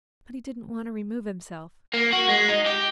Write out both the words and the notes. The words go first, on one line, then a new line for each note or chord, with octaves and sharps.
But he didn't want to remove himself.
A#3
F#4
G#3
D#4
G4